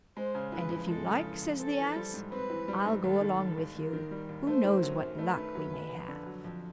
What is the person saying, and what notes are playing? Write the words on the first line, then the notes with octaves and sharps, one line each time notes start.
"And if you like," says the ass, "I'll go along with you; who knows what luck we may have!"
G#3 C5
C#3
E3 B4
F2
G#3 A4
C#3
E3
F2
C4 A4
E3
G3
G#2
C4 B4
E3
G3
G#2
D#2 A4
D#3
G3
D#2
D#2 A#4
D#3
G3
D#2
A3 C5
D#3
F#3
F#2
A3 B4
D#3
F#3
F#2
F2
D3
F#3
F2